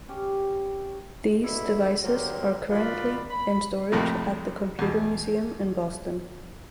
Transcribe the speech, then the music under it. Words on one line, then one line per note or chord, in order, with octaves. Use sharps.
These devices are currently in storage at the Computer Museum in Boston.
C#4 G4
B2 D3 A3 E4
D3 F#3 A#3 G4 A#4 C5
D#3 F4 F#4 B4 D5 B5
B5
F2 A2 C3 A3 A#3
E2 B2